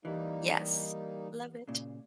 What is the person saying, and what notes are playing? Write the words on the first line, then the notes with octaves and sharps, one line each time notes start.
yes, love it.
E3 G3 A#3 D#4
A#2 C#3